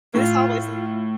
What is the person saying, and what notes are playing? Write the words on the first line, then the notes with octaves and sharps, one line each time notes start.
But it's always
A2 F4
F4